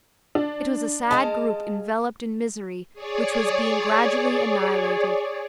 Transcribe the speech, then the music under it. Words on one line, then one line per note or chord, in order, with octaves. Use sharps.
It was a sad group enveloped in misery, which was being gradually annihilated.
D4
G#3 D#5 F5 A5
G#4 C#5 D5